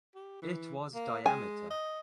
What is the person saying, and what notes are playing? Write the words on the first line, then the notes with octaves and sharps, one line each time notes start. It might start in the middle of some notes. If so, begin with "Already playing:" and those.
It was diameter.
G4
E3
A#3
G#3 G#5
D#5